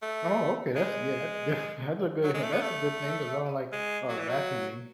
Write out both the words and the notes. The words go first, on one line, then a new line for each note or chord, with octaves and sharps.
Oh, okay, that's yeah, that's def that's a good han that's a good thing 'cause I don't like, uh, vacuuming.
A3
G#3
F#3
G#3
A3
B3
A3
G#3
F#3
E3
F#3